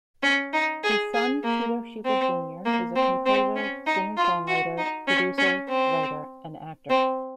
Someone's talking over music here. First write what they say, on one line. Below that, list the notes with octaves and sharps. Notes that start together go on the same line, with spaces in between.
His son Tito Schipa Junior is a composer, singer-songwriter, producer, writer and actor.
C#4
D#4
G#4
G#4
A#3
C4
A#3
C4
C4
C#4
D#4
F4
F#4
D#4
C#4
C#4
C4
C4